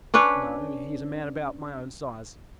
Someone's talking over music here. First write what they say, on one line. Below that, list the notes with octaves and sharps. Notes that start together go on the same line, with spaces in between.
"No, he is a man about my own size."
C#4 D4 B4 C#5